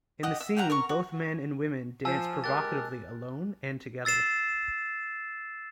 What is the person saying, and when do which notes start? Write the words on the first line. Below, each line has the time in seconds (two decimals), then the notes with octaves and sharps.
In the scene, both men and women dance provocatively alone and together.
0.23 G4 D#5 F#5 D#6
0.40 E5
0.57 G4 F5 F#5 A#5
0.70 A#4 A#5 C#6
0.89 F#4
2.05 F3 G#5 A5 E6
2.44 G#3 G4 A#4 F#6 A6
4.05 E6 A6 C7 E7